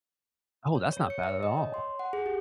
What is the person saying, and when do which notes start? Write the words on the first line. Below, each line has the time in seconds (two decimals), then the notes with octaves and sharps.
Oh, that's not bad at all.
0.75 C#5
0.93 C#5
1.10 C#7
1.23 E5
1.43 D#5
1.57 C#5
1.74 C6
1.99 F#5
2.13 G#4
2.26 G4